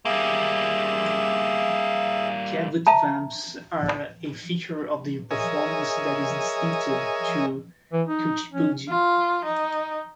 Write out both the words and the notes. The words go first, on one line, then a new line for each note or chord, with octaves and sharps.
Kavutvams are a feature of the performance that is distinctive to Kuchipudi.
G3 A#3 G#4 E5
E5 A5 A#5
G#4 A#4 C#5 D#5 E5 G#5
E3
D#4
C#4
F4
D#4